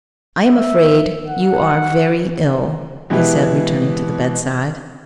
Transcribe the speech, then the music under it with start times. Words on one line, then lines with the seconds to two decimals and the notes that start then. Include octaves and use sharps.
"I am afraid you are very ill," he said, returning to the bedside.
0.45 E5
1.28 F#5
3.10 B2 E3 G#3 E4 G4 B4